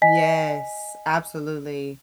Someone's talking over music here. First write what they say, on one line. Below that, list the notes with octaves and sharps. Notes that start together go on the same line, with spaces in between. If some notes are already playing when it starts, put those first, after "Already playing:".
Yes, absolutely.
D#5 G#5 B6